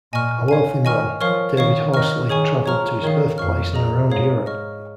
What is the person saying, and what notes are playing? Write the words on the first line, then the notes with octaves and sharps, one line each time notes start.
A wealthy man, David Horsley travelled to his birthplace and around Europe.
A#2 D#5 G#5 C#6 F6
C#3 C#5 F5 G#5
D#3 D#5 G#5 C#6 F6
F3 A#4 C#5 F5 C#6 F6
D#3 C#5 F5 C#6
D#3 D#5 C#6 F6
D#3 G#4 C#5 G#5 C#6
F3 C#5 A#5 C#6 F6
D#3 A#4 C#5 F5
F2 F5 C#6 F6
G#4 D#5 A#5
G#2 G#4 C#5 F5
D#5 C#6 F6